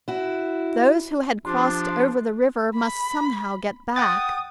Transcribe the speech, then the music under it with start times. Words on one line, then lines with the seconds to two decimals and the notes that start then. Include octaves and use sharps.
Those who had crossed over the river must somehow get back.
0.08 E4 F#4
1.45 F3 D4 F4 G4
2.75 B5
3.96 F#5 G5 D#6 A6